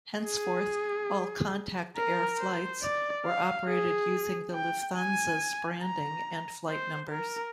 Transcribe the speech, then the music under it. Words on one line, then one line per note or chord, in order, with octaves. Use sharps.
Henceforth, all Contact Air flights were operated using the Lufthansas branding and flight numbers.
G#4
A#4
C5
D5
F5
G#4
G5
G#5
A#5
C5
A#4